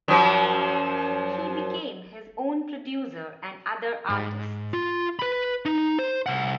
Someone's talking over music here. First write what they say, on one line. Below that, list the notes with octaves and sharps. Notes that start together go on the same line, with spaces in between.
He became his own producer and other artist's.
F#2 F3
G#2
F4
B4 B5
D#4
C5
C2 F#5